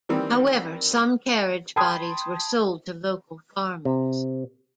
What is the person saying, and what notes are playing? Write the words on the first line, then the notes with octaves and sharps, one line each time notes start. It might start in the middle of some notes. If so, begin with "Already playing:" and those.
However, some carriage bodies were sold to local farmers.
D#3 E3 G3 A#3 C4
G5 A5 B5 C6 D#6 G#6
C3